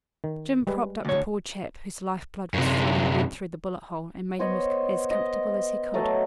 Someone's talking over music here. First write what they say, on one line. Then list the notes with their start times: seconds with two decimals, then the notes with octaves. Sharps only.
Jim propped up the poor chap, whose life-blood was flowing red through the bullet-hole, and made him as comfortable as he could.
0.24 D#3
0.67 G3 G#3 B4
1.05 D2 C#5
2.54 F#2 C3
4.39 B3 C5 C#5 D#5
5.11 D#5
5.94 F#3 A3 D#5 A5